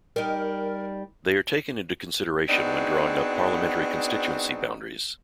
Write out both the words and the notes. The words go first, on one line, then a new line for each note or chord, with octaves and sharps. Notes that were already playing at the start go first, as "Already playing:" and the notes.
They are taken into consideration when drawing up Parliamentary constituency boundaries.
G3 D#4 A#4
B3 C4 D4 D#4 F#4 G#4